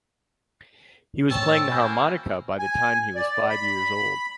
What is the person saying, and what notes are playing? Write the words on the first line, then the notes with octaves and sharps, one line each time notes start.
He was playing the harmonica by the time he was five years old.
A2 C4 C#4 A5 E6
A#3 G#5 B5 G6
G#5
D5
B5